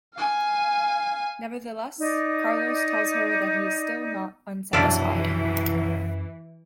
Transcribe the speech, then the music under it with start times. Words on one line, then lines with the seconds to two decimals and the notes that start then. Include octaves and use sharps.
Nevertheless, Carlos tells her that he still is not unsatisfied.
0.14 F5 G#5
1.99 D#4 D5
4.73 B1 F#2 C3 E3 F3 D4 E4 F4